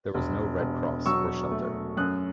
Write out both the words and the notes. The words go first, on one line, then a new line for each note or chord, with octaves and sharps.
There was no Red Cross or shelter.
E1
E1
F#3 C#6 E6
A3
F#2 D#6 F#6